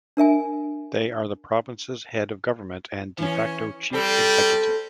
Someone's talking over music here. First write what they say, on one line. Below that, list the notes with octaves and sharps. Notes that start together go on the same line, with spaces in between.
They are the province's head of government and "de facto" chief executive.
D4 A#4 E5 G#5
E3 C#4
G3 C4 A4